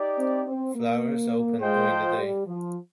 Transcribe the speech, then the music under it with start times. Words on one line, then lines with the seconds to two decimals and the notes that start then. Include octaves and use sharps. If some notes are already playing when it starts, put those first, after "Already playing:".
Flowers open during the day.
Already playing: D#4 G4 D5
0.18 C4
0.47 C4
0.75 A#3
1.60 G#3 F4 C5 D#5 G5
1.89 F3
2.17 G3
2.46 F3